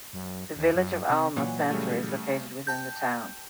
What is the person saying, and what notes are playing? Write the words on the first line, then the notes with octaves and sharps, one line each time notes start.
The Village of Alma Center is located within the town.
F#2
D#2
F#2
C3
A#2 E3 F#3
C#3 G3 A3
G5 A5 G6